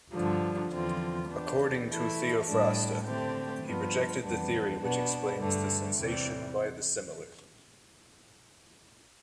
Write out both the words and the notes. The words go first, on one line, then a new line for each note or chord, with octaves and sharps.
According to Théophraste, he rejected the theory which explains the sensation by the similar.
G2 D3 F3
E2 D3 F3 C4 F4
E3 B3 D4 G4
E3 A3 E4
A2 G3 D4
D3 A3 C4 G4
G2 F3 B3 D4 F4
F2 E3 G3 B3 D4
B2 B3 D4
G2 D3 A3
E2 C3 E3 G3